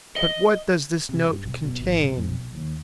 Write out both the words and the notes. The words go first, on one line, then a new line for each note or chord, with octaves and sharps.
"But what does this note contain?"
D#5
C3
G2
B1
B2
G#1
B1
F2
B1
D#2